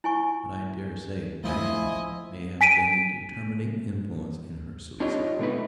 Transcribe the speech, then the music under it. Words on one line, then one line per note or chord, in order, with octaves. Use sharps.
But I dare say Bagshawe may have been the determining influence in her suicide.
E4 G#5 C#6
F3 A3 E4 D#5 G#5
G#5 B6 D7 D#7
D4 D#4 F4 G4 C#5 D#5
A#2 A3 B3 D#4 B4